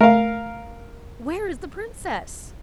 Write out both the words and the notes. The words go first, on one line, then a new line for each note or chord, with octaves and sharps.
'Where is the princess?'
A3 A#4 F5 C7